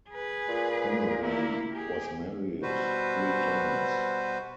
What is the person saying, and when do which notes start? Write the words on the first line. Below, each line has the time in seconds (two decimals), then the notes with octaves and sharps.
Conaway was married three times.
0.10 G#4 B4
0.48 A#2
1.22 A#3 E4
1.72 G4 G#4
2.62 B2 G3 F#4 B4 C5